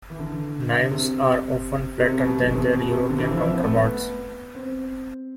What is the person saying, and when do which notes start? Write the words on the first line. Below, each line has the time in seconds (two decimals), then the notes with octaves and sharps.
Knives are often flatter than their European counterparts.
0.10 E3
0.19 D3
0.91 C3
2.00 C3
2.19 B2
2.51 B2
2.55 C3
2.73 B2
2.92 C3
3.10 D3
3.18 E3
3.28 F3
3.37 E4
3.46 C4
3.55 B3
3.64 A3
3.73 B3
4.55 C4